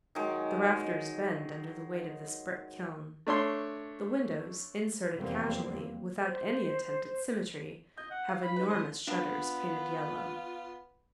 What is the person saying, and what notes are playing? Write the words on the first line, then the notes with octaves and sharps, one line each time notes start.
The rafters bend under the weight of this brick-kiln. The windows, inserted casually, without any attempt at symmetry, have enormous shutters, painted yellow.
D#3 F#3 G#3
A3 D4 C#5 C6
F1 E2 G3 A#3 C4
C5
D#5 G6
F#5
F5
B5
D#4 B4
G#1 B4 C5
B3 D4 F4